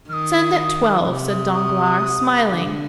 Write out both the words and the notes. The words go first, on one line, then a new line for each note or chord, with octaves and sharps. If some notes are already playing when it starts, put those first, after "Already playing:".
"Send at twelve," said Danglars, smiling.
D#3 D#6 F6
C3 D6
D#6
D#6
D3 D6